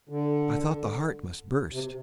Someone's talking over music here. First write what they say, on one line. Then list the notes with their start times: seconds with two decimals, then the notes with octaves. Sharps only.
I thought the heart must burst.
0.09 D3
1.72 C3